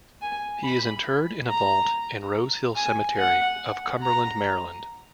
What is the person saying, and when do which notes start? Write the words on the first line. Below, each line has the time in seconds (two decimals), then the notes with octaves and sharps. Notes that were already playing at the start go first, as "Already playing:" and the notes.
He is interred in a vault in Rose Hill Cemetery of Cumberland, Maryland.
0.22 G#5
0.64 B5
1.49 A#5
2.76 G#5
3.18 F#5
4.03 A#5